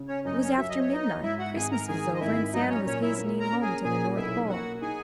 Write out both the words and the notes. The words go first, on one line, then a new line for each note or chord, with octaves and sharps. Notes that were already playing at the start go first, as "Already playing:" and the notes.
It was after midnight, Christmas was over, and Santa was hastening home to the North Pole.
Already playing: C#3
C#4 C#5
F#2 D#4 D#5
C#4 C#5
F#3 E5
D#5
C#5
B3 D#4 D#5
G#2 E4 E5
F#4 F#5
G#1 G#4 G#5
A#4 A#5
D#3 G#4 G#5
D#5
G#1 E4 E5
F#3 D#4 D#5
C#4 C#5
A#2 C#4 C#5
E4 E5
A#3
A#4 A#5
C#4
G#4 G#5
A#2 G#4 G#5
B1 E4 E5
A#3 F#4 F#5
D#4 G#4 G#5